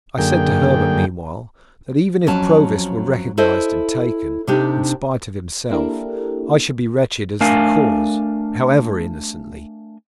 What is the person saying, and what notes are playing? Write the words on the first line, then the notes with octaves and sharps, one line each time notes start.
I said to Herbert, meanwhile, that even if Provis were recognized and taken, in spite of himself, I should be wretched as the cause, however innocently.
F#2 D3 A#3 G#4 G5
F2 F#3 C#4 A5
E4 A4 C5 D#5
C3 D4 D#4 G4
A#3 D4 E4 G4 A4 A#4
A3 D4 A#4 F5 G#5